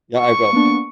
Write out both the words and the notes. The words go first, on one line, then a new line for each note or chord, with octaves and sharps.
Yeah I will tha
C#6
A#3 B3 D4